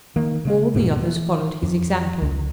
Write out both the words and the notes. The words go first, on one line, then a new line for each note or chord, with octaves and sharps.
All the others followed his example.
D#3 A#3
C#3 G#3
E1 G#2 B2
E3
F2
C#2